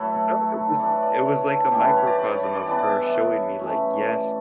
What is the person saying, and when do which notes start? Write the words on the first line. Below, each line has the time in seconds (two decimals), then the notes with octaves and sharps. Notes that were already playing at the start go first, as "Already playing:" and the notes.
No, it was it was, like, a microcosm of her showing me, like, "Yes,
Already playing: A2 F#3 A3 E4 A4 B4 C#5
0.78 E3 A3 D4 C#5
1.02 D5
1.26 C#5
1.49 A4
1.72 G2 E3 A3 C#4 G4
1.84 B4
1.96 C#5
2.07 D5
2.19 D5
2.31 C#5
2.43 D5
2.55 D5
2.66 E3 B3 D4 D5
2.78 D5
2.90 E5
3.02 D5
3.14 C#5
3.60 C#3 E3 A3
4.07 D5